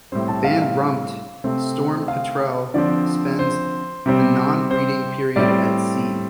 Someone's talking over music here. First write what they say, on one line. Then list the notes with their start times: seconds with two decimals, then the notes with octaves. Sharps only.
The band-rumped storm petrel spends the non-breeding period at sea.
0.12 A2 G3 C4 C5
0.28 A5
0.44 F5
0.62 F5
1.44 C3 A3 C4
2.08 F5
2.74 D3 F3 C4 D5
3.39 C5
4.06 C3 G3 C4
4.71 C5
5.36 A2 G3 C4 D5